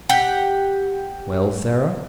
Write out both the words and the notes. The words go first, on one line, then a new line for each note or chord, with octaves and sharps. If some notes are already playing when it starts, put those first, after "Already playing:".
"Well, Sarah!"
G4 F#5